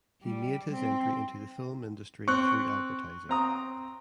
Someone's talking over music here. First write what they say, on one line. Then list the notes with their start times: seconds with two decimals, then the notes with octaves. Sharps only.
He made his entry into the film industry through advertising.
0.23 G3
0.71 C4
2.28 C4 C#6 F#6
3.29 C4 A#5 D#6